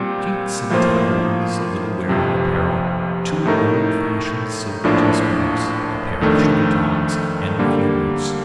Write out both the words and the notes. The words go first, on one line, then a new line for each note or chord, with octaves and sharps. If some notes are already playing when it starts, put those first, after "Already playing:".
Sheets and towels, a little wearing apparel, two old-fashioned silver teaspoons, a pair of sugar-tongs, and a few boots.
Already playing: A#2 G3 C4
A2 F3 A#3 F4 C5
G1 F2 C3 F3
A2 A3 D#4 A#4
A#1 A2 F3 A#3 D4
F2 D#3 A3 D4
D3 G3 A#3